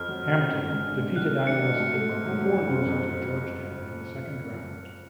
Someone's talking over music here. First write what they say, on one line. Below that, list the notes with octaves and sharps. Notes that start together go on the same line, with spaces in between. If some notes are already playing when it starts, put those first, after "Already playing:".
Hampton defeated Iowa State before losing to Georgetown in the second round.
Already playing: F2 F6
F#3
F2
C#3
G#1
G#3
D4
G#2
B1 F#6
A3
D4 C#7
B2
G#2
A3
G#2
F#3
F#1
C#3
F#1
F2